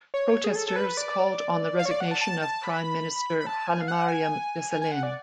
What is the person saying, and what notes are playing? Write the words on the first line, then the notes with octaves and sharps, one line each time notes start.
Protesters called on the resignation on prime minister Hailemariam Desalegn.
C#5
G#4
A4
A4
B4
D5
F5
C#5
D5
F#5
A5
A5
A5
B5
B5
A5
G#5
F5
F#5
G#5
G#5
G#5
F#5
D5